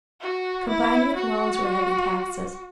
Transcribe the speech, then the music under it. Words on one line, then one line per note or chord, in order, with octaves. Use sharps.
Combined with loans were heavy taxes.
F#4
E4
F#4